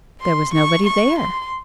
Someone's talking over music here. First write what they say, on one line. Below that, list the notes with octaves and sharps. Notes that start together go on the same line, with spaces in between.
There was nobody there.
C6
C#6
C#6
C6